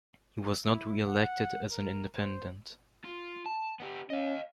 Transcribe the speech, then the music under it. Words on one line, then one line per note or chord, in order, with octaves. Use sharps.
He was not re-elected as an independent.
E4
F#5
A#4
C5
F4
A5
B3 G4
C#4 D#5 F5